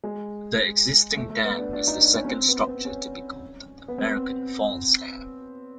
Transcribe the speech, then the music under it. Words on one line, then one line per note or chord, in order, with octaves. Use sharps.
The existing dam is the second structure to be called the American Falls Dam.
G#3
A3
A3
B3
D4
D4
D#4
D4
C#4
C#4
C4
B3
C4
C#4
B3
C4